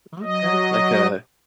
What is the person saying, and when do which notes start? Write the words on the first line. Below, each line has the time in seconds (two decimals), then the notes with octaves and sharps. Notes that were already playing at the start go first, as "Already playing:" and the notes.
Okay, like a
0.23 F#3 D#5